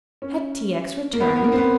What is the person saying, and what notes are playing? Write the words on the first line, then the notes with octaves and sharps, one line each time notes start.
Had T. X. returned!
C#4
A#3
B3
A#3
B3
A#3
C4
B3